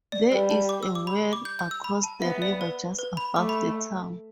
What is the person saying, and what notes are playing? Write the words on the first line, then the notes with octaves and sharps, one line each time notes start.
There is a weir across the river just above the town.
D5
G3 B4
A5
D6
E6
D6
B5
D6
G6
G6
E6
B5
A5
B3 E5
D5
B4
B4
B5
A3 D6
B5